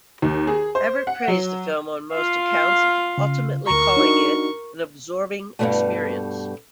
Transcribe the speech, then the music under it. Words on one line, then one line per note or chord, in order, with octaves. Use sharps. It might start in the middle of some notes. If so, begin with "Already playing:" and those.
Ebert praised the film on most accounts, ultimately calling it "an absorbing experience".
D#2
G#4
C5
F#5
F#3
F4 F5
C#3
D2 A#4 A#5 C#6
D4 D#4 F#4
G2 B2 D3 E3 G3 A3